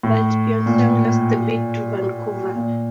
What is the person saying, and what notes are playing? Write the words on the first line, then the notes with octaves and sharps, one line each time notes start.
But Pyeongchang lost the bid to Vancouver.
A2
A#2
A#2